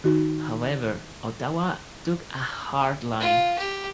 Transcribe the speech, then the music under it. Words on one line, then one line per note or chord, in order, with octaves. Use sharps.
However, Ottawa took a hard line.
D#3 D#4 F#4
F4
G4